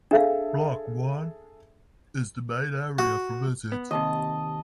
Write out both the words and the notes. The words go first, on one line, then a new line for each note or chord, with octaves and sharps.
Block I is the main area for visits.
D4 G#4 A4 E5 F5
F#4
B3
D#2 C3 D#5 A5